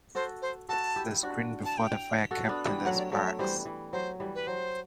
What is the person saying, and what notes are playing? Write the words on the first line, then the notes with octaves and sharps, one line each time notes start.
The screen before the fire kept in the sparks.
F#4 A4 C5
C5
F#4 A4 A5
E4 G4
D4 F#4
A5
G5
F#4 A4
B3 D4
E3 G3
F#3 A3 F#5
D5
F#3 A3 D5
E5
E3 G3 C5
E3
F#3 C5
E3 G3
B4
F#3 C5